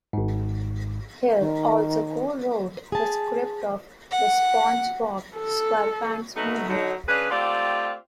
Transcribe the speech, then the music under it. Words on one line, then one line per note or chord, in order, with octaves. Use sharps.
Hill also co-wrote the script of "The SpongeBob SquarePants Movie".
G#1 G#2
D#3
G#4 A5
F#5
A4
B2 F#3 A3 B3 D#4 F#4
D3 F#3 D#4
C#3 C#4 D4 G#4 B4
A3 C4 F4 G4 D5